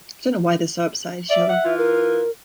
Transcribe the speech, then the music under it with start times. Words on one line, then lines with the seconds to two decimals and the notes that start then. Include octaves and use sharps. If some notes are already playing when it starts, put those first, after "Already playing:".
I don't know why they're so upset at each other.
1.29 D5 E5
1.49 F#5
1.64 E3 F4
1.78 A#4